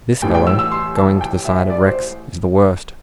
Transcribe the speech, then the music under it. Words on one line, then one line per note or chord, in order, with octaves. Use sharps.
This fellow"--going to the side of Rex--"is the worst.
A1 A2 E3 G3 G5
G5
E6
E6
C6
A5
G5
E5
D5
C5